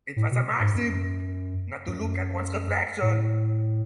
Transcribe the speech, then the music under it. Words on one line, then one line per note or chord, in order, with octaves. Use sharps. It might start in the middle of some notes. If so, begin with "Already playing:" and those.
It was a maxim not to look at one’s reflection.
A2
B2
G#2
F#2
F#2
A2